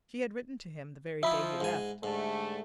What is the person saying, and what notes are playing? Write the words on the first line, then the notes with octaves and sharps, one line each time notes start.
She had written to him the very day he left.
F3 D#4 E4 E5 B5
G#2 G#5
G#2 D3 G3 A3